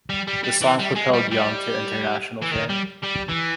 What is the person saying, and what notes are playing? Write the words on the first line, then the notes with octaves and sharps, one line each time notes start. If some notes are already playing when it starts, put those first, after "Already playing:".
The song propelled Young to international fame.
G3
G3
G3
E3
G3
G#3
G3
G3
E3
D#3
G3
G3
E3